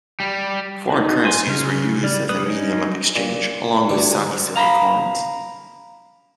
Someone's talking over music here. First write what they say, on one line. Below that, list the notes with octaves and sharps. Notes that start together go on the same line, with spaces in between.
Foreign currencies were used as a medium of exchange, along with Saudi silver coins.
G3
D#4 F#4
G#5 C6
C#3 F6
G3 D5 F6
G3 B4 D#6 F#6
C#4 D#4
A#2
D2 G2 D3
F5 A#5 B5